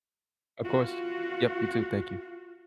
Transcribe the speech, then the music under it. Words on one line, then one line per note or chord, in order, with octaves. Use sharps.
Of course. Yup, you too, thank you.
F4 F#4